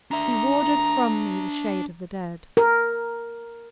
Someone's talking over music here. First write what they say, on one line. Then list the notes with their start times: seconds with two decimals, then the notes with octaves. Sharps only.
He warded from me the shade of the dead.
0.11 D4 E5 A#5
2.57 A#4